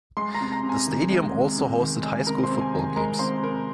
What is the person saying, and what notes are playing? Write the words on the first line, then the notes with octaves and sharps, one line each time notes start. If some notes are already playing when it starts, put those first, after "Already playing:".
The stadium also hosted high-school football games.
G#3 C6 C7
A#5 A#6
C3
A#5 A#6
C3
G#5
D#3
G#3
C3
C3
D#3
G#3
C3 A#4 A#5
C5 C6
C3
G#5
D#3
G#5
G#3 A#4 A#5
C3 C5 C6
C3 A#4 A#5